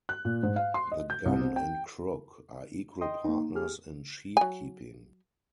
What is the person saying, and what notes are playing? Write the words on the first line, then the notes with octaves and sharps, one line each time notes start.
The gun and crook are equal partners in sheep keeping.
F#6
A#2
G#2
F5
C6
D#5
G6
C2
C4
G5
D#5 G5 C6 D#6
A#3 D#4
G4 G#4 F6
F#3 G#5